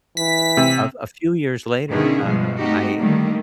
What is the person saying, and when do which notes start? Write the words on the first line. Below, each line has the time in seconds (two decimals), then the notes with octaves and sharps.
a a few years later, uh, I
0.17 E3 B6
0.57 C3
1.89 B2 D3 D#3 C#4 E4 G#4
2.26 G2 B2 F3 G3 G#3
2.60 A3 C4 D#4 F#4 G4
2.99 D3 D#3 G3 A3 A#3